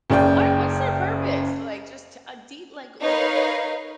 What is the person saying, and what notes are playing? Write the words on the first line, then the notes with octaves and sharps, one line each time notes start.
W What what's their purpose, like, just a det like like
F#1 C#3 D5 G5
D#4 A#4 B4 C#5 F5